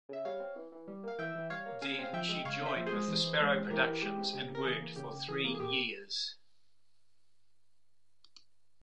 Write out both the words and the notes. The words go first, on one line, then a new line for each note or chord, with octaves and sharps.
Then she joined with the Sparrow Productions and worked for three years.
C#3 E5
G3 C#5 F5
C4
E3
E3
G3
A#3 F5
E3 E5 G5
E3
G3 C#5 F5
A#3
C#3 F5 G#5
C4 F5
F3 E5 G5
G#3
C#3 C#5 F5
C4 C5 E5
F3
G#4 C5
G#3
E3
E3
G#3
C4
E3 G4 A#4
E3
G#3 G4
C4
C#3 G4
C#3
A#4
E3 G#4
A#3
C#3 G4
C#3
E3 G#4
A#3
G#4
A#2 G4